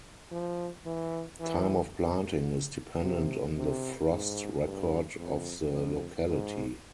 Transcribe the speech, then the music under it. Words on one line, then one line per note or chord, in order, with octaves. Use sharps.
Time of planting is dependent on the frost record of the locality.
F3
E3
E3
C3
C3
G#2
G2
F2
F2
G#2